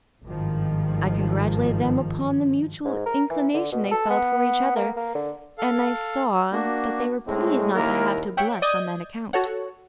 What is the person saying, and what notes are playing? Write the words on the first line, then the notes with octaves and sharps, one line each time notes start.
I congratulated them upon the mutual inclination they felt for each other, and I saw that they were pleased not to have to blush on that account.
G#1 G2 D#3 F3
G#2
A#4
E3
D3
B2
A4
B3
A#3
A#3
D3
A4 F5
A#3 D4 F#4
A2 G#3 C4
D#2 A#3 E4 A#4
C#5 E5 F#5 G5
D5 D#5 D#6 G6 G#6
F#4 A4 C#5 F#5